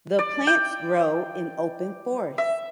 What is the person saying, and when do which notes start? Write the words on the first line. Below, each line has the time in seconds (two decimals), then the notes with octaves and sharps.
The plants grow in open forests.
0.19 D5
0.47 G5
2.38 E5